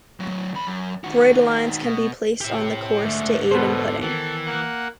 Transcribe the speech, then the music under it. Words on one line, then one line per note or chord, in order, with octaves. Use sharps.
Grid lines can be placed on the course to aid in putting.
A2 F#3
E2 B5
F#2
D#3 F#4
B2
A2 G4 E5
G#2 D3 A3
B2 B3 A4 C5
D#3 E3 A4
A#3 F#5